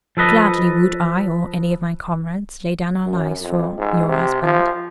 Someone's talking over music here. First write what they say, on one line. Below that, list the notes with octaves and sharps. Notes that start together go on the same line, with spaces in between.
Gladly would I or any of my comrades lay down our lives for your husband.
F3 A4 B4 D#5
F#2
F2
G#2
C3
F3